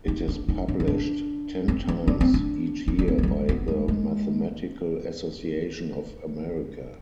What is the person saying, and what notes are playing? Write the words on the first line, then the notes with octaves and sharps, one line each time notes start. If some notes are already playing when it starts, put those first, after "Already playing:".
It is published ten times each year by the Mathematical Association of America.
D#4
D4
D#4
D4
D#4
D4
C4
C4
D4
C4
D4
D#4
D4
C4
B3
G3
G#3
B3
G#3
G#3